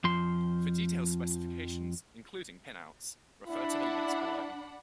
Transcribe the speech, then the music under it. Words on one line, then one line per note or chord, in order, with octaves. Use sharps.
For detailed specifications, including pinouts, refer to the links below.
F2 F3 C6
D4 E4 F#5 B5